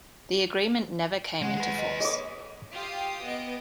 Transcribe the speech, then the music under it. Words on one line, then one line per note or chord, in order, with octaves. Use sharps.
The agreement never came into force.
G#3 F#5
G#4 B4
D#5
C#5 D#5 D6
F4 G4 F5 D#6
B3 D#5 D7